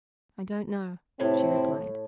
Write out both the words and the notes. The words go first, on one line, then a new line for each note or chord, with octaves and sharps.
"I don't know," she replied.
A2 C3 C4 E4